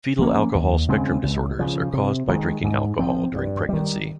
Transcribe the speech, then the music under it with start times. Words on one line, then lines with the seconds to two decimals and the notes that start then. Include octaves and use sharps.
Fetal alcohol spectrum disorders are caused by drinking alcohol during pregnancy.
0.19 F3 A#3 C#4
0.55 D#2
0.89 C#3 G#3 C4
1.23 C#2
1.59 C#3 F3
1.94 C3
2.29 D#3 G#3
2.63 G#2
2.99 F3 C4
3.34 G2
3.69 D#3 G3